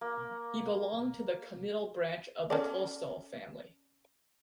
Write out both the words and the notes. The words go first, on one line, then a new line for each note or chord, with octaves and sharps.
He belonged to the comital branch of the Tolstoy family.
A#3
C#4 A4 D5